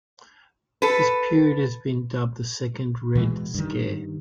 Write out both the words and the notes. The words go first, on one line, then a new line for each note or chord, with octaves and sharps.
This period has been dubbed the Second Red Scare.
A4 B4
B2 E3 F#3 G#3
G2 D#3